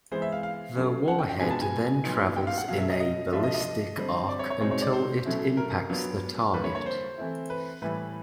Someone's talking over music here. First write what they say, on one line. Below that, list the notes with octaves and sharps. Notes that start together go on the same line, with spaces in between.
The warhead then travels in a ballistic arc until it impacts the target.
E3 G#3 B3 C5
E5
F5
F5
F#3 A3 C#4
F#5
G5
G5
B2 G#3 B3 D4 F4 G#5
A5
G#5
A#2 F#3 B3 D#4
G5
F5
F#5
B2 F#3 A3 F5
E5
D#5
D#5
F3 A3 D4 F4 E5
D#5
D#5
D3 G3 C4
D5
C#5
C#5
B2 G#3 C4 D#4 C#5
C#5
D5
C5
B2 F#3 A3 C#4 E4
A#4
F#3 B3 D4 F4
D3 G3 A#3 B4
C#5
C#5
C5
E3 A3 C4 E4
B4
A2 E3 G3 B4